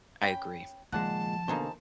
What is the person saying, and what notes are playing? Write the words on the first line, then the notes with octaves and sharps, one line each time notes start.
I agree.
C#4 G5 B5
C#2 A#2 D#3 F3 G#3 F#5 A5
B2 D3 E3 A#3 D#4 G#4 C5